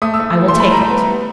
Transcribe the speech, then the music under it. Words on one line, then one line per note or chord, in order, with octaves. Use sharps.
"I will take it."
A3 D#6
E6
A3
E3
C6
A3
B5
G3 A#5
B3
B3